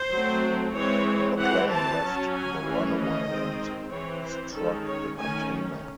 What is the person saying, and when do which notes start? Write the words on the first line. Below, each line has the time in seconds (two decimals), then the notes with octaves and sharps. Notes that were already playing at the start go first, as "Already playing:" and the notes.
The plane left the runway and struck a container.
Already playing: C5
0.12 F#3 A3 C4
0.75 E3 G#3 C4 C#5
1.38 E3 C4 F#5
1.71 A5
2.03 F#3 C#4
2.34 G#5
2.65 E3 A3 C#4
2.97 D#5
3.29 D#3 G#3 C4
3.91 E3 C4 C#5
4.23 C5
4.55 D#3 G#3 C#4 A4
4.87 C#5
5.18 D#3 A3 C#4 G#5